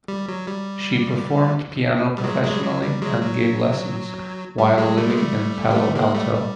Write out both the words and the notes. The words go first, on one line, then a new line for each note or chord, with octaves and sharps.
She performed piano professionally and gave lessons while living in Palo Alto.
G3
F#3
G3
G3
F#3 G#3
F#3 G#3
G3
F#3
G3
F#3 G#3
F#3
G3
F#3 G#3
G3 A3
G#3
G3 A3
A#3
G3 A3
G#3 A#3
G3 A3
G3